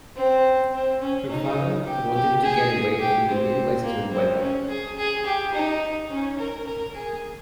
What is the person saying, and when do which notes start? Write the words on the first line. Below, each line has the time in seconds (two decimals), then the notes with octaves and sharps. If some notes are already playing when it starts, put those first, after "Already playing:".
Her father wanted to get away from the Midwestern weather.
0.17 C4
0.73 C4
1.01 C#4
1.29 D#4
1.87 G4
2.14 G4
2.43 G#4
2.99 G4
3.28 C4
3.83 A#3
4.12 C4
4.40 C#4
4.69 G#4
4.97 G#4
5.25 G4
5.54 D#4
6.10 C#4
6.38 A#4
6.67 A#4
6.94 G#4